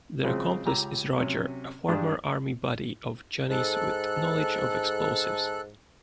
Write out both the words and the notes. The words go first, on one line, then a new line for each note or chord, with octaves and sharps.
Their accomplice is Roger, a former Army buddy of Johnny's with knowledge of explosives.
C#3 F3 F#3 G#3 C4
C#2 G4 A#5 E6
C3 F#3 C#4
G2 G#3 D4 G4 D5 D#6
G#2 A4 F#6